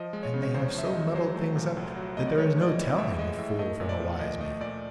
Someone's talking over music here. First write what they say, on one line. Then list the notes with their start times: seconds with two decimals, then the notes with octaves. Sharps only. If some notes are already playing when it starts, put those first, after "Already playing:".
And they have so muddled things up that there is no telling a fool from a wise man.
Already playing: F3 D#5
0.13 G#3
0.23 C#5
0.34 C#3
0.43 C#5
0.54 E2 C5
0.74 F3 E5
0.85 D#5
0.94 G#3
1.15 F#3 C5
1.36 A3
1.56 A#2
1.77 C2
1.96 F#3
2.17 A3 D#5
2.27 D5
2.37 G#3 C#5
2.57 A2 D5
2.68 D#5
2.78 E3
2.98 A2 E5
3.18 G#3 D#5
3.39 A2 E5
3.59 A3 D#5
3.80 A#2
3.89 D5
4.00 F3
4.20 A#2 D#5
4.41 A3 D#5
4.60 A#2 D5